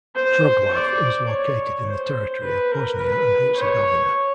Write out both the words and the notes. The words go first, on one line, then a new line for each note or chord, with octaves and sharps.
Troglav is located in the territory of Bosnia and Herzegovina.
C5
D5
C#5
C5
B4
A#4
B4
C#5